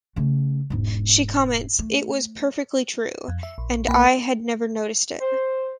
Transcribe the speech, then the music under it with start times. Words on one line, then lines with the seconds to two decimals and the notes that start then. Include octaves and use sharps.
She comments It was perfectly true; and I had never noticed it.
0.16 C#3 A3
0.70 E1 G#2
1.79 A3
3.28 F2
3.43 E5
3.58 A#1
3.88 B1 A#3 F#5 G5 B5
5.20 C5